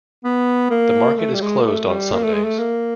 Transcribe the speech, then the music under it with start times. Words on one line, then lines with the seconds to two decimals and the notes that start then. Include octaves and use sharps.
The market is closed on Sundays.
0.24 B3
0.71 A#3
1.18 A3
1.34 G3
1.42 G#3
1.59 A#3
1.65 A3
1.88 G3
2.12 A#3
2.23 A3
2.34 G#3
2.44 A3
2.59 A#3